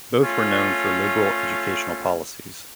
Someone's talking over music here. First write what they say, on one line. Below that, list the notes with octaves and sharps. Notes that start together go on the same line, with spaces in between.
Both were known for liberal educational policies.
A3 C#4 F4